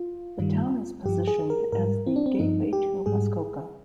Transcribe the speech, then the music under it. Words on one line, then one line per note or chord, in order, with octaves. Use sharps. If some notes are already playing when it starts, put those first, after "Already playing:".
The town is positioned as the "Gateway to Muskoka".
Already playing: F4
G2 D#3 G3
G2 F3 G4
G#4
A#4
G#2 G3 A#4
C4
D4
C4
G2 F3 D#4
G4
G#2 G3 G#4